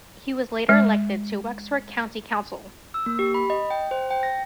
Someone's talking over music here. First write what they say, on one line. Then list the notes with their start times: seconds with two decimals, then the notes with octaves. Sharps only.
He was later elected to Wexford County Council.
0.69 G#3
2.94 E6
3.06 A#3
3.19 G4
3.34 B5
3.50 D#5
3.70 G5
3.91 C5
4.10 G5
4.23 A#6